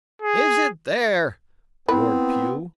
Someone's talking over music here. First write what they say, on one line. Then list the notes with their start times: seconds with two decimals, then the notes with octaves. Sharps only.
"Is it there?" roared Pew.
0.22 G#4
1.88 B3 C4 E4 B4